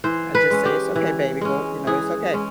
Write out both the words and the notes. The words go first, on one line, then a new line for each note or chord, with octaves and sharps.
I just say, "it's okay, baby, go you know, it's okay.
E3 C5
B4
G#3 C#4
G4
E3
G#3 C#4
E3 G#4
G#3 C#4